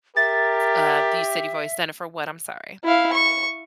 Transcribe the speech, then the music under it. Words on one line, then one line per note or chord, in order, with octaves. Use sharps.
Uh, do you said you've always done it for what? I'm sorry.
G4 A#4 E5 A6
E4 F5
C#6